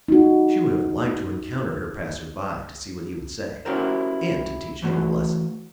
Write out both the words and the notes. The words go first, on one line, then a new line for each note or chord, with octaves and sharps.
She would have liked to encounter her "passer-by," to see what he would say, and to "teach him a lesson!"
D#4 F#4
C#4 E4 F#4 G4 A#4 C5
E3 A3 F#4